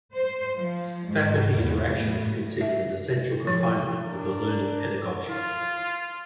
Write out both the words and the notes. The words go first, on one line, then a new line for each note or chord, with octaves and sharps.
Faculty interaction is considered an essential component of the learning pedagogy.
C5
F3
G#2
E2
A2
E5
F3
D4 A#4
F4